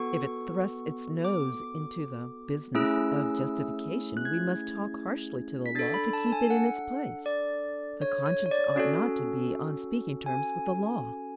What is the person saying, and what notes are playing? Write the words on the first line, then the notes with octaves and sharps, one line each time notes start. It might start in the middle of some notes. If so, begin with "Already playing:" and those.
If it thrusts its nose into the business of justification we must talk harshly to the Law to keep it in its place. The conscience ought not to be on speaking terms with the Law.
Already playing: B3 F#4 A4 C#6
D6
A3 C#4 E4 G#4 E6
F#6
G#6
B6
D4 A4 A6
B5
A5
A5
G#5
F#5
D5
C#5
C#5
C#5
D5
C#4 F#4 A4
G#5